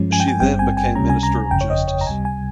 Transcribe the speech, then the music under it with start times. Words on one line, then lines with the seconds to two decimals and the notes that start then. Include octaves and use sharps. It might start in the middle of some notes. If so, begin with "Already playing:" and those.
She then became Minister of Justice.
Already playing: G2 F3 G#3 C#4
0.13 G#5
0.20 G5
0.28 G#5
0.40 G#1 G2 G3 C4 G5
0.59 G#5
0.77 G#5
0.95 C#2 C3 G3 C#4 A#5
1.10 G#5
1.23 A#5
1.51 G1 F2 C#3 G5
1.61 C#5
1.70 D#5
1.88 C#5
2.01 A#5
2.07 C#2 C3 G3 G#5
2.25 G#5